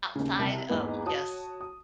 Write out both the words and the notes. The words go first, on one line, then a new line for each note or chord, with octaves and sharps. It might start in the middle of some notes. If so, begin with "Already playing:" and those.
outside of just
D#2 C#3
C2 A#4 A5
E2 G#2 G#3 A#3 B4
F#4 C#5 A5 D#6
D#6